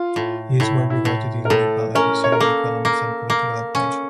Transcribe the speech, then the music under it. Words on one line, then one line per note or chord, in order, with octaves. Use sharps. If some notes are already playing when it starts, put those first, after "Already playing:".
He is well regarded in Nepal as a senior economist and political advisor.
Already playing: F4
A2
A2 E4
E4
A2
A#4
A2 A4
C#4 A#4
C#5
A#4
A#3 A4
A#3
A#3
C#4